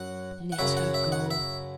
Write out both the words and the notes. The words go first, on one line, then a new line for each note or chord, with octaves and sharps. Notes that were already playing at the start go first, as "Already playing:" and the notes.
Let her go!'
Already playing: F#2 F#3 F#5
F#5
F#2 C#3 F#3 E5
F#5
E5
F#5
E5